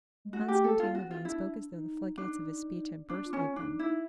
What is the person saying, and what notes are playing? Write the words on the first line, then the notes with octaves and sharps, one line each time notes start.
Konstantin Levin spoke as though the floodgates of his speech had burst open.
G#3
A3 F#4
G4
A4
A#3 F4
C4 F#4
C4 F4
D4 E4
D#4
D4 D#4
D4
F4
C#4
D4 D#4
E4